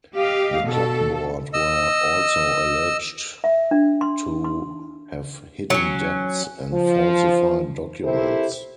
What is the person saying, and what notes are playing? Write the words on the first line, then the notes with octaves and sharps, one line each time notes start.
The club board were also alleged to have hidden debts and falsified documents.
G4 D#5 F5
B2 A4
D#5 E6
E5
D4
C6
C6
F#3 C#4
F3
C3 E4 G4 A4 A#4 C5